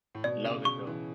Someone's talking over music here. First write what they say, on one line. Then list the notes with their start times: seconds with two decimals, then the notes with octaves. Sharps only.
Love it, though.
0.15 A2
0.24 B2 D5
0.45 C#3
0.65 C#3 C#6
0.87 E3